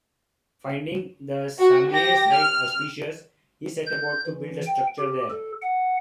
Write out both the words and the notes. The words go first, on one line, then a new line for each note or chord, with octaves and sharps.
Finding the Samye site auspicious, he set about to build a structure there.
F#4
G4 A#6
F6
G6
E3
G5
G4
A4
F#5